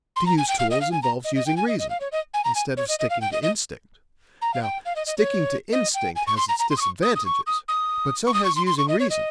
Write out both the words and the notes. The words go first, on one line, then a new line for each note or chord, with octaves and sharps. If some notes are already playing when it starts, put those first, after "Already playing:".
To use tools involves using reason, instead of sticking to instinct. Now, sticking to instinct has its disadvantages, but so has using reason.
C6
A#5
G#5
G5
F5
D#5
F5
G#5
A#5
D#5
D#5
G5
G#5
D#5
D#5
F5
C#5
D#5
G#5
A#5
G#5
C#5
D#5
D#5
F5
G5
D#5
D#5
A#5
F5
G5
F5
D#5
D#5
C#5
D#5
G5
G#5
C#6
C6
A#5
A#5
C6
D#6
C#6
D#6
D#6
C#6
D#6
D#6
C#6
D#6
C#6
C6
C6
C#6
D#5
C#5
D#5